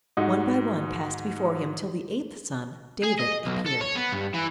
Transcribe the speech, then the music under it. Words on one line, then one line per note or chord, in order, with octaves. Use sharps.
One by one passed before him till the eighth son, David, appeared.
G#2 D#4 F#4
G#4
D#5
B1
A4
C#5
B3
G2
E3